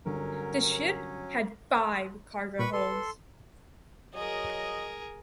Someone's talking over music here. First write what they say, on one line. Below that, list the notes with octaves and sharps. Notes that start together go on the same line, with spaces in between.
The ship had five cargo holds.
G1 D3 F#3 C#4 A#4
A#2 B4 B5 C#6
A4 B4 C6
F#3 G#4 A#4 D#5